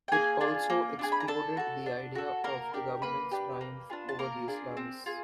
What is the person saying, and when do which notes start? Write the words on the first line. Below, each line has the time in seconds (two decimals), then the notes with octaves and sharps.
It also "exploded" the idea of the government's triumph over the Islamists.
0.08 G5
0.12 A#3 G#4 G#5
0.41 D4 F4 G#4
0.70 A#3
0.99 D4 F4 G#4
1.12 B5
1.20 A#5
1.28 D4 A4 A5
1.57 F#4 A4
1.86 D4
2.15 F#4 A4
2.44 A#3 A#4 A#5
2.73 D4 G4
3.02 A#3 B4 B5
3.31 D4 G4
3.61 A#3
3.90 D4 F4 G#4
4.09 A5
4.19 A#3 A#4 A#5
4.48 D4 F4 G#4
4.77 C4
5.06 F4 G#4